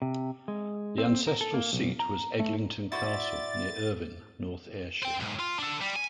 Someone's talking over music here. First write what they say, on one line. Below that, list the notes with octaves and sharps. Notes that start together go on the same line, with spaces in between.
The ancestral seat was Eglinton Castle, near Irvine, North Ayrshire.
C3
G#3
C4
A#4
A4
A#3
B1
A#5
A3
E4 F#4 C5 D5 E5 A6
C5 G5
B1 G#2
F4
D4 A4
G3
G#5